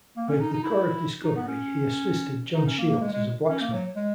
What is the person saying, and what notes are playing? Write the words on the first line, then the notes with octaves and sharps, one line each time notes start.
With the Corps of Discovery, he assisted John Shields as a blacksmith.
A#3
C#4
D#4
D#4
E4
D#4
B3
C#4
D#4
C#4
A#3
A#3
G#3
G#3
C#4
A#3
F#3
G#3